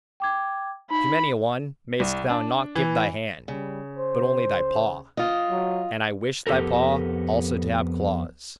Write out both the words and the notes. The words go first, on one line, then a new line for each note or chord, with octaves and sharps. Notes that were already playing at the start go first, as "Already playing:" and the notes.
To many a one mayest thou not give thy hand, but only thy paw; and I wish thy paw also to have claws.
G5 D6 G#6
D#4 B5
C2
D4
E3
C#3 G3
C5
F4 D#5
F#3
F2 B3 G4 A4 A#4